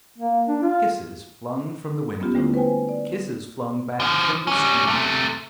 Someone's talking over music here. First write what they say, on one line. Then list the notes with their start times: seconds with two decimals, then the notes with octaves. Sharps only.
Kisses flung from the window; kisses flung back from the street.
0.18 A#3
0.47 D4
0.63 F4
2.20 A#3 B3 C#4 F4 G4
2.34 D3 G3 A3 D4 E4
2.54 B4 C5 G5 G#5
2.89 D5
4.00 D3 F3
4.47 G3 C#4
4.88 C3 A3